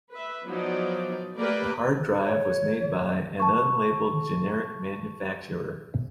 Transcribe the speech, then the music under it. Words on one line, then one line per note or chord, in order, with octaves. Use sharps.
The hard drive was made by an unlabeled generic manufacturer.
B4 E5
F3 F#3 B3 D#4 D5
A3 A#3 G4 A#4 B4 D5
C#5
A5 C#6